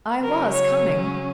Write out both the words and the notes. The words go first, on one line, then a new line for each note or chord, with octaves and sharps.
"I was coming."
C#3 F#3 C#4 A#4
C#5